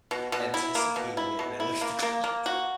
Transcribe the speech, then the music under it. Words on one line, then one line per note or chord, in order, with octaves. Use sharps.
anticipating it. And I look at the clock,
B2
B2
E4
A#3
B2
E4
B2
E4
A#3
A#3
A#3
F#4